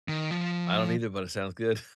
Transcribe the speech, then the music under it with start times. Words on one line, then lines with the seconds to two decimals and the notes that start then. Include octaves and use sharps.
I don't either, but it sounds good.
0.08 D#3
0.31 F3